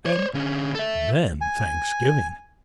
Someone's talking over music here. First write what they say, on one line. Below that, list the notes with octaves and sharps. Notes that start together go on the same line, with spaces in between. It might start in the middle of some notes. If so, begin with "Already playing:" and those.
And then Thanksgiving!
C5 C#5
D3 C#4
A4 E5
G#5